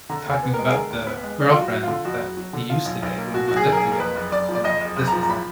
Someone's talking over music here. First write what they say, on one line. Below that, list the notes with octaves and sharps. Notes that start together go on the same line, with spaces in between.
talking about the girlfriend that he used to date when we lived together, and this was, like,
D3 A#5
D#2
G#5
B3
A#4
G#3
G#4
D3 A#4
D#2
B3 B4
G#3
F2 D5
F#1 F4
F#4
F#3
D3 F4
F2 F#4
F#1
F#3
D3
B2 F4
B1
B1
A#3
B2 F#4
F#4
B1
G#4
B1
A#4
G#4
A#3
A#4
F2 B4
F#1
F#1 D5
F3
D5
F2 D#5
F#1
F#1
F3 A#5
A#5
B5